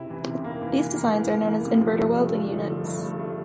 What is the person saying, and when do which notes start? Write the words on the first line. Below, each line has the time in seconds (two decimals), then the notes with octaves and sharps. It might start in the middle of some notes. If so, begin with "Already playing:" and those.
These designs are known as inverter welding units.
Already playing: C3 E4
0.10 E3
0.26 C3
0.44 A#3
0.61 E3
0.78 E3
0.96 A#3
1.13 E3
1.30 E3
1.47 A#3
1.65 C3
1.81 F3
1.98 G2
2.16 A3
2.34 D3
2.50 F3
2.67 A3
2.84 G2
3.02 A3
3.19 A3